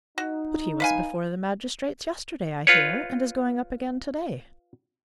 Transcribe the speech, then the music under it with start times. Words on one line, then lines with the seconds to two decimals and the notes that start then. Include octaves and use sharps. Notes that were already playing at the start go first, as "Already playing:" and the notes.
"But he was before the magistrates yesterday, I hear, and is going up again to-day."
0.18 D#4 F#4
0.80 B4 F5 G#5
2.67 F4 B4 C#5